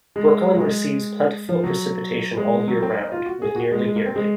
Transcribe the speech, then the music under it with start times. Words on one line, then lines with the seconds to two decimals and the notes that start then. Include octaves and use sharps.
Brooklyn receives plentiful precipitation all year round, with nearly yearly.
0.16 G#3
0.55 F#3
0.60 G#3
1.49 F3
1.64 F#3
2.37 G#3
2.68 F#3
2.83 C4
2.97 D#4
3.12 F4
3.26 F#4
3.42 G#4
3.56 F#4
3.72 G#3
3.86 G#3
3.96 A#3
4.06 C4
4.16 G#3